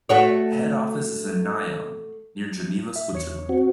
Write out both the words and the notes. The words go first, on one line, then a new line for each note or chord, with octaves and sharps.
The head office is in Nyon, near Geneva, Switzerland.
A3 F#4 C#5
E5
E2 C#5 C#7
C4 F#4